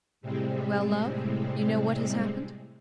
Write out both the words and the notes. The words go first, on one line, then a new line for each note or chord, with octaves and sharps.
"Well, love--you know what has happened?"
A2 C3 G3 G#3 C4